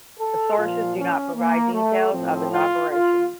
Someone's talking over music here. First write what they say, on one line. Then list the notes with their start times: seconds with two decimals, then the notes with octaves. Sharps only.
The sources do not provide details of his operations.
0.19 A4
0.58 A#2 F3 F4
0.96 C#4
1.35 A#3
1.73 A3
2.13 A2 F3 C4
2.52 F4
2.91 F4